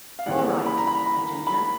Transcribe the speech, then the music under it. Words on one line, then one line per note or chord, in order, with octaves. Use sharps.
"All right," said Ginger.
F5
D#2 C#3 E3 G3 F#5
B5
A#5
B5
B5
B5